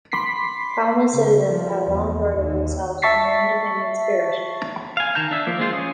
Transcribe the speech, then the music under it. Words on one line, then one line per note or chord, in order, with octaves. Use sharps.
Pownal citizens have long prided themselves on their independent spirit.
B5 C6 D6 B6 C7
C#3
F3
E2
D#2
E5 A5 C#6 A6 B6 C7
F5 G#5
D#3 A5 A#5 G6
D4 E5
F3 A#3
G#3 F4 C5
C#4 G#5 D#6